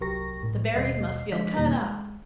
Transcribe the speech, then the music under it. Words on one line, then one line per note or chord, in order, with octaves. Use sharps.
The Barrys must feel cut up.
C2 F#3 G4 A#4 C#6 A#6
A#1 A2
D#2 B2 G3 D#5 C7
D3 F3 G#3 D#5 B6
E2 B2 D#3 E3 G3 A#3
G#3